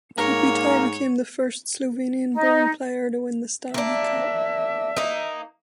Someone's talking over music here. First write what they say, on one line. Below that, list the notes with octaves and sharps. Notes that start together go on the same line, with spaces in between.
Kopitar became the first Slovenian-born player to win the Stanley Cup.
G#2 A#3 A#4 C#5
D#4
A#3 D4 E5
A#3 D#4